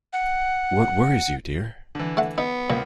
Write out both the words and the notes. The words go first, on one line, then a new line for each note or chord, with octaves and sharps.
What worries you, dear?
F#5
D3 E3
A3 F#5
B3 D#4
C#2 A#2